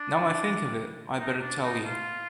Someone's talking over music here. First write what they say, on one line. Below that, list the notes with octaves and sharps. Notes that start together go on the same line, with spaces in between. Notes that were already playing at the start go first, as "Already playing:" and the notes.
Now I think of it, I’d better tell you.
Already playing: D4
D#4
D4
D#4
F4